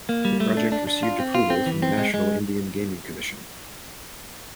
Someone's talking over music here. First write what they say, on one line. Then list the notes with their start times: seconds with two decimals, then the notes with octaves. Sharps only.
The project received approval from the National Indian Gaming Commission.
0.09 A#3
0.25 G3
0.40 A3
0.57 D4
0.72 D4
0.87 D4
1.03 F4
1.20 C4
1.35 F4
1.50 C4
1.66 E3
1.82 C4
1.98 G#3
2.14 G#3